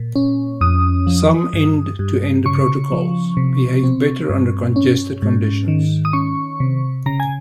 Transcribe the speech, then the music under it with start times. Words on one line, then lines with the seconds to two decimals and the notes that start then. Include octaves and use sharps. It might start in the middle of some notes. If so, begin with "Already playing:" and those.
Some end-to-end protocols behave better under congested conditions.
Already playing: A#2
0.16 C#4
0.61 F2 D#6
1.07 F3
1.53 G2
1.99 G2
2.46 C#3 C#6
2.92 F3
3.37 C3
3.83 C4
4.30 G2
4.76 C#4
5.22 G#2
5.68 D#3
6.05 D#6
6.13 C#4 C#6
6.60 C3
7.06 C#3 A#5
7.20 G#5